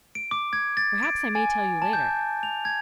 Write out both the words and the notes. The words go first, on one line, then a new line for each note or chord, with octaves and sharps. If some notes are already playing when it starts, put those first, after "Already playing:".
Perhaps I may tell you later.
D7
D6
G#6
A6
D7
G#5
A5
G6
F7
G#6